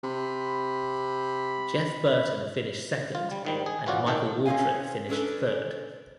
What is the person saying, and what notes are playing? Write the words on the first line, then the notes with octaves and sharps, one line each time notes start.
Jeff Burton finished second and Michael Waltrip finished third.
C3 B5
F4
G3
G#2 D#3 G3
G#4
E3 C#4 F4 F#4 D5
A2 D#3 A4 G5
C4 C#4 G#4 F5 G#5
C#4 D4 A4 B4